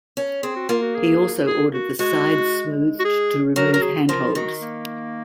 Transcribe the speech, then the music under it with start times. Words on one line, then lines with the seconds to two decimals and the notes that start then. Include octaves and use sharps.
He also ordered the sides smoothed to remove handholds.
0.17 C#4
0.43 C4 G#4
0.56 F#4
0.69 A#3 F4
0.82 F#4
0.95 G#4
1.47 G#4
1.74 F#4
1.99 G#3 F#4
2.99 F#4
3.05 G#4
3.56 F#3 A#4
3.72 F#3 A#4
3.82 G#4
4.09 F3 A#4
4.35 D#3 F#4
4.61 A#3